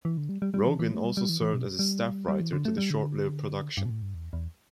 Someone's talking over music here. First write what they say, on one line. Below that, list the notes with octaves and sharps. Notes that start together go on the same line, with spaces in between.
Rogen also served as a staff writer to the short-lived production.
E3
D3
G3
G3
G3
E3
E3
A3
G3
G3
E3
E3
B2
G3
G3
E3
D3
A3
G3
D3
G2
B2
A2
G2
E2
E2